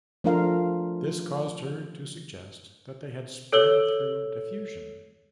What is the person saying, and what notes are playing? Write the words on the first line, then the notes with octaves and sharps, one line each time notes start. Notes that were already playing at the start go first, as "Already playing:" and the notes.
This caused her to suggest that they had spread through diffusion.
F3 A3 D4 F4 A#4 F5
A4 C#5 E6 F#7 G7